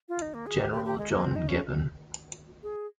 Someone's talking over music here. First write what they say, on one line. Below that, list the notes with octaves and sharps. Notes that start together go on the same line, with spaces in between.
General John Gibbon.
F4
D#4
A#3
G#4
G4
G4
G4
G#3
A#3
C4
D#4
C#4
G#4